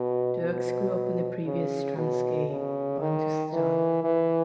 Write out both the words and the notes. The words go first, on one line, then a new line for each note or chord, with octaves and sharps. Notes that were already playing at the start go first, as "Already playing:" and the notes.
Dirks grew up in the previous Transkei bantustan.
Already playing: B2
B2
C#3
B2
C#3
D#3
E3
E3